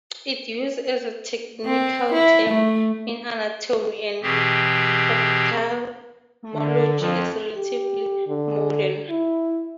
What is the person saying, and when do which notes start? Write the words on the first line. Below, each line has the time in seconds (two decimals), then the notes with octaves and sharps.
Its use as a technical term in anatomy and ophthalmology is relatively modern.
1.66 C4
2.12 E4
2.49 A3
4.22 B2 E3 C4 G4 G#4
6.54 D3
7.00 F2
7.57 G4
8.28 D3
9.10 E4